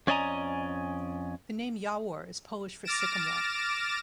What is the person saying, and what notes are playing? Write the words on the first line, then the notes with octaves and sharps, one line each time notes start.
The name "Jawor" is Polish for "sycamore".
F2 C#4 D5 D#5 G#5 A#5
D6 F6 A6 A#6 D7 E7